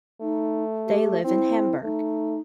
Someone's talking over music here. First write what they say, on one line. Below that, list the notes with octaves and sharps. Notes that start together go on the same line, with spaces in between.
They live in Hamburg.
A3 D#4
G4
C4 E4
A3 D#4